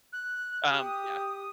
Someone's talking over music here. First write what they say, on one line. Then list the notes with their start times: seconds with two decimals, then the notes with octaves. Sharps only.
Um, yeah.
0.13 F#6
0.72 G4 D#6